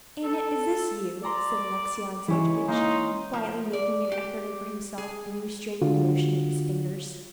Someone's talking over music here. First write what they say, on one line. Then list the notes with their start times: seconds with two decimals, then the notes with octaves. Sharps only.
"Anna, is this you?" said Alexey Alexandrovitch, quietly making an effort over himself, and restraining the motion of his fingers.
0.23 A4
1.25 D5 A#5 C6
2.28 E3 G#3 C#4 E4
2.68 A#3 D#4 C6
3.33 F3
3.73 D5
4.12 G4
4.98 G#4
5.82 D3 F4 F#4